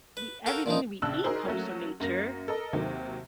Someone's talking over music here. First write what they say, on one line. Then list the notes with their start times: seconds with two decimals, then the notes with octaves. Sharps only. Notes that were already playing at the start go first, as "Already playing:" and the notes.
we everything that we eat comes from nature.
0.17 B4
0.46 F#4 A4 A#4 F5 G5
0.66 A#2 E3 F3 D#4
1.02 A#1 C#3 A5 E6 F#6
1.24 D#4 F#4 G#4 A#4 C5 A#5
1.45 F#3 A3 A#3 C#4
2.00 F#2 A#3 A#6
2.48 A4 A#4 D#5
2.73 D#2 C3 D#3 F#3